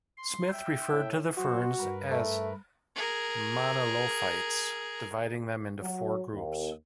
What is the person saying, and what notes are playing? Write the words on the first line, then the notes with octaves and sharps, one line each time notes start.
Smith referred to the ferns as monilophytes, dividing them into four groups.
C6
E5 G5
A2
F#3 F#4 C5
G2 A#4 B4
A3
G#4 A#4
F#3
D#2